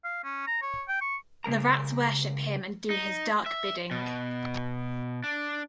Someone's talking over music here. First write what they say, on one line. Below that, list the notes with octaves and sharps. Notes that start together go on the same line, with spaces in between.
The rats worship him and do his dark bidding.
F5
C#4
A#5
C#5
G5
C#6
C#3 G#3 A#4 A#5
D#4
E5
B2
D4